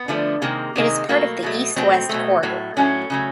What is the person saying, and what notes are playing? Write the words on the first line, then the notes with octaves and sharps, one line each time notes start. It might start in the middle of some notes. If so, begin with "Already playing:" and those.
It is part of the "East-West Corridor".
Already playing: B3
D3 F3 A3
C3 D#3 G#3 A#3
C3 D#3 G#3
B2 F#3 A3 A#3
B2 F#3 A3
B2 F#3 A3 C4
B2 F#3 A3
A2 F#3 A3
A2 F#3 A3 C#4
C#3 F#3 A3